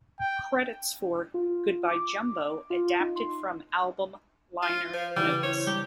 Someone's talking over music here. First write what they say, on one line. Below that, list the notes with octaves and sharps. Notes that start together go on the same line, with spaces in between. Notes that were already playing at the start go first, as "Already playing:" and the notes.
Credits for "Goodbye Jumbo" adapted from album liner notes.
G5
F4
D6
F4
D#4
C6
F4
F3
C#3 E3 G3
E4 C5 C#5
G3 G4